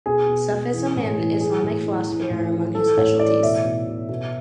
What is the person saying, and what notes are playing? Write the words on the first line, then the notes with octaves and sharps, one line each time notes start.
Sufism and Islamic philosophy are among his specialities.
B2 G#4
B2
B2
E3
A2
E3
E3 G#4
A2
E3
E3
A2
E3
E3 A4
A2 C#5
E3 D5
B2 E5
B2
B2
B2